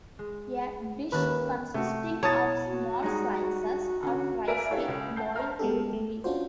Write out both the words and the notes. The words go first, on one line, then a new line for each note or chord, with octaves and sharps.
A dish consisting of small slices of rice cake boiled with beef.
G#3
D#2 D#3 C#4 B4 A5 F#6
C3 A3 F#4
B2 E4 C#5 A5 A#5 D#6 A6
F#4
G3 G#3 D#4 G#4
D3 C#4 F#4
A#4 B4 D5 E5 F5 G#5
E4 F#4 G4 A4 C#5 F5
C#2
F#5 A5 G6 C7
C5 A5 A#5 F6
G#3 B3 G4 A4
A3
C#4 D4 F4 F#4 C5